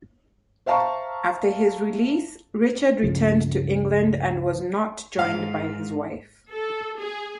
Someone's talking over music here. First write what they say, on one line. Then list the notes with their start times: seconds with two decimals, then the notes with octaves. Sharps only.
After his release, Richard returned to England and was not joined by his wife.
0.66 C5 E5 F5 A5 A#5 C#6
3.03 C#2 G2 C#3 F3
5.19 G#2 F5
6.49 A4
6.98 G#4